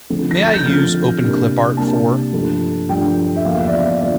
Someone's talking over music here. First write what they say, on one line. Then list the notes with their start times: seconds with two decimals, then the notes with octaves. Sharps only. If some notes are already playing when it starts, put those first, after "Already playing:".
May I Use Openclipart for?
0.10 D3 F3 A3 C4
0.31 A#6
0.43 A6
0.54 G6
0.65 D3 F3 A3 C4 F6
1.22 C3 G3 A#3 D4
1.77 C3 G3 A#3 D4 A5
2.33 G2 F3 A3 D4
2.89 G2 F3 A3 D4 G5
3.36 E5
3.45 E2 D3 F3 A#3 F5
3.59 E5
3.68 D5
3.73 E5
3.87 D5
4.01 D3 F3 D5